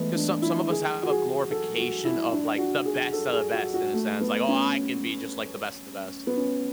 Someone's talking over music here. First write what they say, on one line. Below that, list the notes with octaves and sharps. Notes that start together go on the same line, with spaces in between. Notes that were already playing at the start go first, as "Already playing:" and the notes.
'cause, some some of us have a glorification of, like, the best of the best in a sense, like, "Oh, I can be just like the best of the best."
Already playing: E3 G#3 A3 B3
D4
E4
G#4
F#4
G#4
A4
F#4
E4
D4
F#4
G#4
A4
G#4
F#4
F#4
A3
B3
C#4
B3
C#4